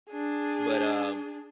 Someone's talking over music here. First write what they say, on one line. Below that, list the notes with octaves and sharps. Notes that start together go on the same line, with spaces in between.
But, um,
D4 G#4